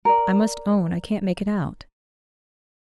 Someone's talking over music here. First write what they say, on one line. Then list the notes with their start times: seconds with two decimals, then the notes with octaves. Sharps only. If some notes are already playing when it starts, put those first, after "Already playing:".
I must own I can't make it out.
0.05 A#4 D5